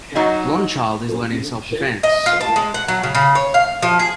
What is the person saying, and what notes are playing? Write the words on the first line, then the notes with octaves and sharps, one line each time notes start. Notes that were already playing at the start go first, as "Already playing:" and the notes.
Blond child is learning self deference.
F#3 D#4 F#4
D#5
F4
A5
G#3
F#5
F#3
C#3
C#3
C#5
F5
F3
G#4